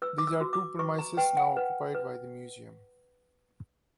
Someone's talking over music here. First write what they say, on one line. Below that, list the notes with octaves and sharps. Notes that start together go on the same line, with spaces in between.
These are the premises now occupied by the museum.
B4 E6
D6
E6
F#4
D6
B4 C#6
A#5
B4 G5
F#5
B4
B4